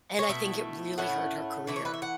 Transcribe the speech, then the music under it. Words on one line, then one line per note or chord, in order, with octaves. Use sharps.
And I think it really hurt her career.
C#5
B2 A3 E4 E5
A2 A3 C#4 E4 F#5
E3 A3 E4 E5
C#5
B4
E5
F#5